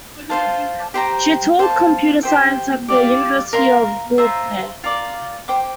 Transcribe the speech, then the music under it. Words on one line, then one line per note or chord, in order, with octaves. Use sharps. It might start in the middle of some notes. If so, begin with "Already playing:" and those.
She taught computer science at the University of Guelph.
F4 C5 F5 A5
G4 C5 G5 A#5
C5 F5 A5
G4 C5 G5
G4 D5 F5
A#4 F5 C6
F4 C5 E5 A#5
F4 A#4 D5
C5 G5 D6